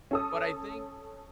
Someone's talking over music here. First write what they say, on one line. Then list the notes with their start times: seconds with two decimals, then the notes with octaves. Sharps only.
But I think
0.11 C#4 A4 D#6